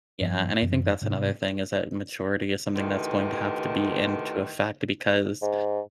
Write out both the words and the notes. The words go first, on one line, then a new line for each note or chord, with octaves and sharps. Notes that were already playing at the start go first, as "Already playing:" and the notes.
Yeah, and I think that's another thing is that maturity is something that's going to have to be into effect to because
G2 F3 G3
F#2 E3
G#2 C3 B3 C#4
D2 C3 D#3 E3
G#2